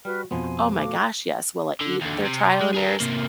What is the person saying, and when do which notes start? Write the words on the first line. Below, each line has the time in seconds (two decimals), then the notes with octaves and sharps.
Oh my gosh, yes. Will I eat their trial and errors?
0.05 G3 F#4 B4 F6
0.31 F2 B2 F3 B3 G#5 C6
0.77 A3 F#4 F5 D6
1.81 D3
2.01 D#2 D3
2.25 C3
2.61 G#3
2.74 G#4 A#4
3.00 C3 A#3